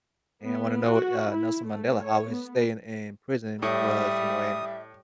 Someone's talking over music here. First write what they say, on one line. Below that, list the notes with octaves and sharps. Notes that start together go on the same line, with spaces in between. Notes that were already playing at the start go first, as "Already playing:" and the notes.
and I wanna know, uh, Nelson Mandela, how his stay in in prison was, you know? And
B3
F#4
E4
A3
C#5
B3
A2 G3 E5 D#6